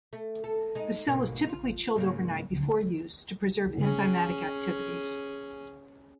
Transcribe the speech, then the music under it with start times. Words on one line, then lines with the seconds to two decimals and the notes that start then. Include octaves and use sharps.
The cell is typically chilled overnight before use to preserve enzymatic activities.
0.13 A3
0.44 A4
0.75 G#3 D#4
1.07 G#2 B2 A#3
1.49 F4
1.96 G#2 C#3 A#3
3.80 C#4 G#4